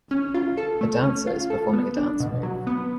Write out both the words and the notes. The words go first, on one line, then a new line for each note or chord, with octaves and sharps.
A dancer is performing a dance move.
C#4
F4
A4
A3
C#4
F4
A4
B3
D4
B2
F#3
B3